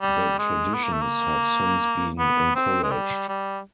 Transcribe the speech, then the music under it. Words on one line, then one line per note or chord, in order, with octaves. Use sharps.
The traditions have since been encouraged.
G3
G#3
B3
A#3
A3
A#3
B3
C4
G#3
G3
G3